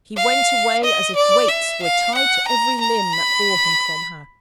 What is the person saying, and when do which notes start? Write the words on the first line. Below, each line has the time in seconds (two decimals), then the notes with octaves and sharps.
He went away as if weights were tied to every limb that bore him from her.
0.17 F5
0.84 D#5
1.16 D5
1.48 E5
1.82 F5
2.15 F#5
2.48 A#5
2.80 A#5
3.13 B5